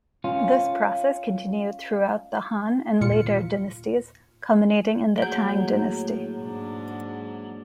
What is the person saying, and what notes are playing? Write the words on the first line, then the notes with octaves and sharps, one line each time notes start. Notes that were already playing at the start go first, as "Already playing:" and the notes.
This process continued throughout the Han and later dynasties, culminating in the Tang Dynasty.
C#4 F4
D#2 A#2 F4 C#7
A2 F#3 A#3 G#4 G6 G7
G#2 D4